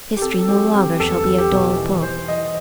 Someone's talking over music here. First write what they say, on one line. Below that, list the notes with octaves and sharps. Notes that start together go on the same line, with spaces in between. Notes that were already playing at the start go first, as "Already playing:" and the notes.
History no longer shall be a dull book.
G4
C4 A4
F#3 G4
C4 G4
E2 A4
G3
G4
B2
E3
E3 C5
E3 D#5